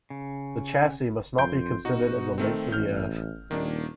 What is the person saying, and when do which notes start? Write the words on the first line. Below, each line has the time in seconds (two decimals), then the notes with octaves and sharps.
The chassis must not be considered as a link to the Earth.
0.10 C#3
1.38 F2 C6 G6 D7
1.85 B2 D#4 F#4
2.38 D#3 A3 C4
2.72 A1 F6 G6
3.51 D#1 D#3 A#3 D4